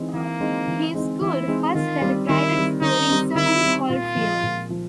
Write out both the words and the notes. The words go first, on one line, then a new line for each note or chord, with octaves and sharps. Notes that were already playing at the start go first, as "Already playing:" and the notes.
He schooled first at a private school in Sutton Coldfield.
Already playing: E3 G#3 C4 D#4
E3 A#3
G#3 C4 D#4
E3
G#3 C4 D#4
E3 E4
G#3 C4 D#4
D#3 F4
G3 C4
D#3 E4
G3 C4
D#3 D#4
G3 C4
D#3 E4
G3 C4
A#2 F4
F3 G#3
A#2
F3